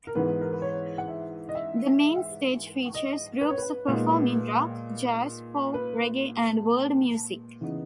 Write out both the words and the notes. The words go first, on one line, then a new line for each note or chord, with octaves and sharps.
The main stage features groups performing rock, jazz, folk, reggae and world music.
A#4
G#2 E3 B3 B4
A#4
B4
C#5
F#5
E5
D#5
E5
D#5
B4
C#5
B4
A#2 G#3 B3 D#4
B4
C#3 E3 B3 D#4